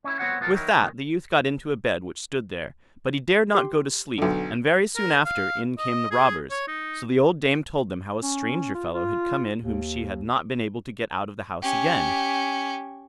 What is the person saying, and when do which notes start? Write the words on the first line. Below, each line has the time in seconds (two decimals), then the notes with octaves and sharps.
With that the youth got into a bed which stood there, but he dared not go to sleep, and very soon after in came the robbers; so the old dame told them how a stranger fellow had come in whom she had not been able to get out of the house again.
0.04 C#4 E4
0.19 B3 C4 F#4 C#5 F#5
0.40 C2 B3 F4 A4 A#4
0.54 D#3 F#3 D#4 E4 A#4
0.80 C#2 A#2 D#3
3.55 G4 C6
4.18 B1 D3
4.96 A#4
5.25 F5
5.79 D#5
6.11 G#4
6.51 C#5
6.68 D#4
8.22 C#4
8.75 F4
8.94 F4
9.63 D#2
11.62 C#4 G4